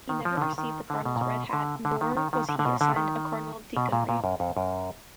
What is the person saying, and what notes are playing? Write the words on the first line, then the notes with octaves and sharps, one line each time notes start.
He never received the cardinal's red hat nor was he assigned a cardinal-deaconry.
D#3
F3
D3
D#3
D#3
D3
B2
A#2
B2
D3
D3
D#3
D#3
D#3
D3
D3
B2
D3
D#3
B2
A#2
A#2
F#2
F2
F#2